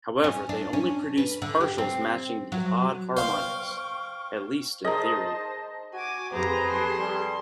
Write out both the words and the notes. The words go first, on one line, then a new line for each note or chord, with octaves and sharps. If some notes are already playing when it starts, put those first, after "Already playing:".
However they only produce partials matching the odd harmonics, at least in theory.
C#4
D4
C#4
B4
D3
G4
C4
F#3
C5 F5 G5 C#6 F6
D#4 G#4 A#4 C5 D#5 A5 A#5
F#4 G#5 D6
F2 G4 G#4 B4 C5 A#5
A4 C6
G3